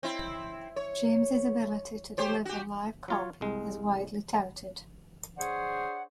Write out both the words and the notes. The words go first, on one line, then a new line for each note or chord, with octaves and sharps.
James' ability to deliver live copy is widely touted.
C4 E4
C#5
G4 C5 C#5
F#4 G4
F#3 F4 C#5
C2 G#3
D4 G#4 C5 C#5 F#5